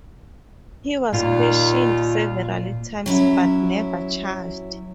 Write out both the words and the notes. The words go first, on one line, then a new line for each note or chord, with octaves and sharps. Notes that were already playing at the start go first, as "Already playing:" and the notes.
He was questioned several times but never charged.
D#2 A#2 D#3 F4
F#3 C#4 E4